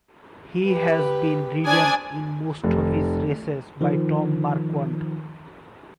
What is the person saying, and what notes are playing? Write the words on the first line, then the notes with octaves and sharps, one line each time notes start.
He has been ridden in most of his races by Tom Marquand.
G4 B4
D4 C5 D5 G#5 D#6
F1
D#3 F3